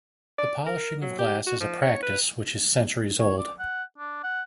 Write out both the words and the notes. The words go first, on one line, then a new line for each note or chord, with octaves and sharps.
The polishing of glass is a practice, which is centuries old.
D5
A#4
F#3
G4
F#4
F3
C#5
B4
C#5
D5
F#5
D4
F#5